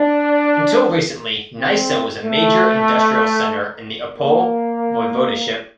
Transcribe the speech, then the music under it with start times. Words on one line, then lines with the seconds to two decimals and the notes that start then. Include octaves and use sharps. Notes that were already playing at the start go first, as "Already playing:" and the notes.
Until recently, Nysa was a major industrial centre in the Opole Voivodeship.
Already playing: D4
1.59 C4
2.24 A3
4.19 A#3